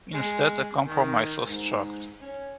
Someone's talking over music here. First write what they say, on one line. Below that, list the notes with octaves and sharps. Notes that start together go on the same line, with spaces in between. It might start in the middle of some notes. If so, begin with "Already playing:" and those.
Instead, a compromise was struck.
G#3
D#3
G#2
C#4